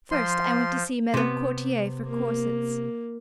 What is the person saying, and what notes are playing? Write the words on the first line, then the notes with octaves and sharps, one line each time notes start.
First I went to see Madam Courtier for corsets.
F3 C6
C3 B3
A#3